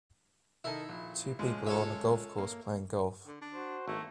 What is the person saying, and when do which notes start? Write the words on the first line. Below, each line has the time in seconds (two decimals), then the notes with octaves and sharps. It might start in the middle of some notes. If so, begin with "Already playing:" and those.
Two people are on a golf course playing golf.
0.64 D#3 D#4 E4 A4
0.89 A#1
1.39 C#2 F3 G#3
1.66 A4 C#5 E5
2.38 A#3
3.26 D3
3.42 D4
3.53 F#4 C5
3.88 G#1 A3 A#3